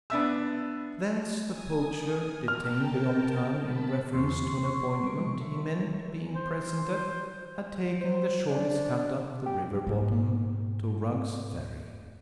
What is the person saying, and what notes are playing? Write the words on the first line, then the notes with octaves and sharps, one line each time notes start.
Thence the poacher, detained beyond time in reference to an appointment he meant being present at, had taken the shortest cut up the river bottom to Rugg's Ferry.
B3 D4 E5 E6
G#5 D#6
A#4 G5 A5 F6
A5 B5
E2 A#2 C6 C#6
C5 C#5
G3 A#4
C3 G#3
A4 C#5 E5
C5
C5
D4
G4
G#2 A#3